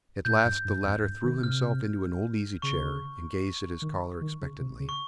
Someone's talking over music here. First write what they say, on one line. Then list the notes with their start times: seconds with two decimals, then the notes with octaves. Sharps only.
At last the latter threw himself into an old easy chair and gazed at his caller expectantly.
0.25 A#2 G6
0.45 G2
0.65 G2
0.85 F2
1.04 G2
1.24 D#3
1.43 C3 F6
2.62 C#3 C#6
3.82 D#3
4.21 D#3
4.41 C#3
4.61 C3
4.80 C#3
4.89 C#6